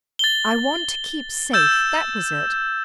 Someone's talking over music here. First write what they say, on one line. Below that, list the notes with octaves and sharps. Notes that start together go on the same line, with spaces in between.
'I want to keep safe.' That was it.
A6 G7
E6 G6 A6 E7